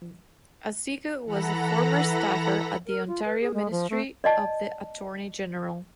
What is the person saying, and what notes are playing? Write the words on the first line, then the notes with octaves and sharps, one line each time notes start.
Aziga was a former staffer at the Ontario Ministry of the Attorney General.
E3 A4 F#5 A#5 B5 A#6
A#4
F4
B4
G#4
G#3
F3
A3
D5 D#5 A5